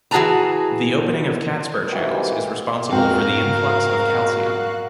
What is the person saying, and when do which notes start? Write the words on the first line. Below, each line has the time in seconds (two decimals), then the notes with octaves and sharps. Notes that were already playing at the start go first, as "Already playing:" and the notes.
The opening of CatSper channels is responsible for the influx of calcium.
0.11 E3 F#4 G#4 B4 A5 A#5
1.91 G#2 C3 E3 A#3 F#4 G4
2.91 F2 G#2 F#4 A#4 F5 G5 F#6